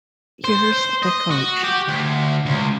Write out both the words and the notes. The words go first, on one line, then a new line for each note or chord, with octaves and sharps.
Here’s the coach.
C5
C5
D#5
F#4
G4
D2
C#2